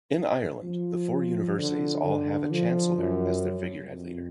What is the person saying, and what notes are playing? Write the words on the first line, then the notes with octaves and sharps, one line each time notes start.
In Ireland, the four universities all have a chancellor as their figurehead leader.
F3
D3
D3
F3
F#2
F2